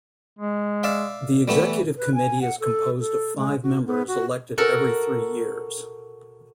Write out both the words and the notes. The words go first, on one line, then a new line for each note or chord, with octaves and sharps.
The executive committee is composed of five members elected every three years.
G#3
D5 E5 F5
E3 G3 A3 B3
B4
G#5
F#5
A4
A4
G#3
F#4
B3
F#4
F#4 A4 A#4